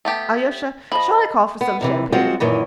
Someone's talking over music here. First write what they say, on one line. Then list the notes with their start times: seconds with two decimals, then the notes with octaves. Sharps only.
Alyosha, shall I call for some champagne?
0.05 A3 B3 G4
0.92 F3 D#5 B5
1.61 B3
1.81 D#2 C3 E3
2.12 F#3 G#3 C4 F4 F#4
2.40 F#2 A#2 D#3 E3